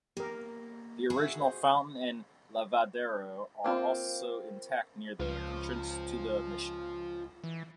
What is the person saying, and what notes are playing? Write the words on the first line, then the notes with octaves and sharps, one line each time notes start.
The original fountain and "lavadero" are also intact near the entrance to the Mission.
A#3 G4 A#4
F#4 G#4
E5
C5
A#3 C4 F4
C#2 F4 C5
E3